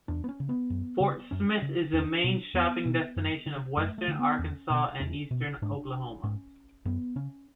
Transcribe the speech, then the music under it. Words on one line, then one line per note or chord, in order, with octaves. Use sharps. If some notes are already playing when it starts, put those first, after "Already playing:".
Fort Smith is the main shopping destination of Western Arkansas and Eastern Oklahoma.
E2 D4
B3
C#4
C#3
B3
F#2
C#3
F#2 C#4
C#3
E2 D4
B2
E2 B3
B2
F#2
D3
F#2 A3
A3
D3
B3
E2 C#4
B2
E2 C#4
B2
G#2 D4
G#2 C#4
F#2 B3
C#3 C#4